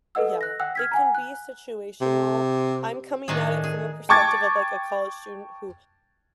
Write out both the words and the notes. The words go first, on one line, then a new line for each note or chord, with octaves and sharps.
Yeah. It can be situational. I'm coming at it from a perspective of, like, a college student who
A4 B4 D#5 F#5 E6
F#6 A#6
F#5 G5 E6 F#6
F6 G#6 B6
F#5 G#5 A#5
F#6
C3
A2 D#3 D4 G#4
G#4
G5 A5 C#6 D6 G#6 A6